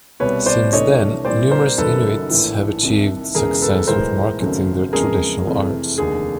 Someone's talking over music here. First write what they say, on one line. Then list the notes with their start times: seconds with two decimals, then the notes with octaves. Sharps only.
Since then, numerous Inuit have achieved success with marketing their traditional arts.
0.20 C2 B2 G3 B4 C#5
0.46 C5 D5
0.72 C2 C3 E3 A3 D4 C#5 D#5
1.25 A#2 G3 C4 E4 C5 D5
1.51 A#4 C5
1.78 F#1 F#2 D#3 F#3 A4 B4
2.30 A#1 A2 E3
2.83 C2 C3 D#3
3.35 E1 E2 C#3 G#4 A#4
3.62 A4 B4
3.87 B1 A2 E3 G#3 B3 A#4 C5
4.40 G#1 F#2 C#3 F#3 A3
4.93 E2 C#3 F3 G#3 C4 G#4 A#4
5.46 F2 C3 E3 A3
5.98 F1 D#2 D3 G#4